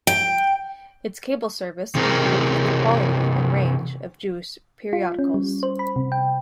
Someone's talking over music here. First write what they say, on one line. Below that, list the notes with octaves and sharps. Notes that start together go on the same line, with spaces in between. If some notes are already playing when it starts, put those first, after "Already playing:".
Its cable service improved the quality and range of Jewish periodicals.
G5
C3 E3 C4 G#4 A#4
F4
C#4
G3
C5
B5
C3
G5